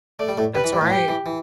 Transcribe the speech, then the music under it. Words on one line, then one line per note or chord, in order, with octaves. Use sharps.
That's right.
A3 D5
G3
A2 A3
G2 G3 B4
E3
G2 G3
A2 A3
G2 G3 G4
E3
E3